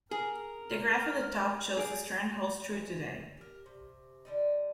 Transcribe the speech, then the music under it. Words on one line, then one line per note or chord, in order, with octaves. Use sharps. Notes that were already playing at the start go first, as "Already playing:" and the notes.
The graph at the top shows this trend holds true today.
G#4 A#4
G#4 D5
D#3 E3 C4 C#4
G4 A#4
C3
D3 G3 D#4